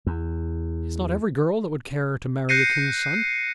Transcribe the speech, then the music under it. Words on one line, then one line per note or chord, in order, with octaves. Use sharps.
It's not every girl that would care to marry a king's son.
E2
F#6 G6 A#6 C7 C#7 D#7